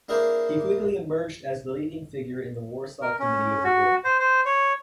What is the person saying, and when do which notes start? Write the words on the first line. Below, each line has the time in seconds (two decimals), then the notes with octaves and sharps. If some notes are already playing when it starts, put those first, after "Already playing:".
He quickly emerged as the leading figure in the Warsaw Committee of the Bund.
0.09 A#3 D4 E4 G#4 A#4 C5
3.02 A#4
3.20 C#4
3.64 F#4
4.04 C5
4.20 C5
4.45 C#5